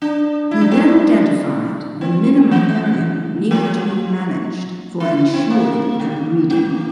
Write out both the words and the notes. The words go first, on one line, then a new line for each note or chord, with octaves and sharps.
He then identified the minimum area needed to be managed for ensuring their breeding.
D4
E4
D4
C4
D4
C4
E3
F3
E4
E4
C4
A#3
A#3
A#3